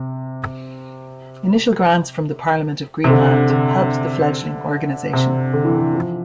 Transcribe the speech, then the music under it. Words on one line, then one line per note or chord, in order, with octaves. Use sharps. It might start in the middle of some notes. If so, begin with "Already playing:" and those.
Initial grants from the Parliament of Greenland helped the fledgling organization.
Already playing: C3
C3
D3
D3
C3
D3
E3
D3
F3